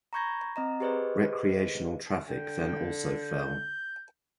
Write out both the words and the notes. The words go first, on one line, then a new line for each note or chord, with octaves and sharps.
Recreational traffic then also fell.
A#5 B5 C#6 G6 G#6 A#6
C4 D#5 A#5
G4 G#4 B4 C5 D5 D#5
D3 G5
G6